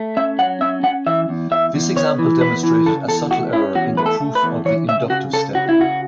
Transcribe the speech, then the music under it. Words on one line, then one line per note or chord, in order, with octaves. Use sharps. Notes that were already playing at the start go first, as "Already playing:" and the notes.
This example demonstrated a subtle error in the proof of the inductive step.
Already playing: A3
C#4 E5
F#3 F#5
C#4 E5
C#4 F#5
E3 E5
E2
E2 E5
E2
B3 C#5
E3
E2 B4
E3
C#3 A4
E2 A4
A3 F#4
C#4 E4
E2 F#4
A3 B4
A4
A3
B4
E2
E3 C#5
C#3 E5
C#3 F#4
C#3 A4
C#3 F#4
E4
C#3 F#4